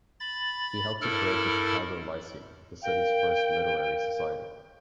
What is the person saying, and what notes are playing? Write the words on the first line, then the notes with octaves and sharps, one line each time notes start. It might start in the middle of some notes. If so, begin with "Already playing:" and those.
He helped to create the Chicago Lyceum, the city's first literary society.
B5 A6
G2 E4 A4 A#4 F6
A#4 F5 G5